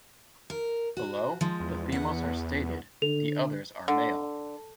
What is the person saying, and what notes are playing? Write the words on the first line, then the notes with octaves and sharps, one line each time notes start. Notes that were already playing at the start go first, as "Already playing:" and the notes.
Below, the females are stated, the others are male.
A#4
F#4
F3 G#3
E2
B3 F#5
D3 A4 F7
D3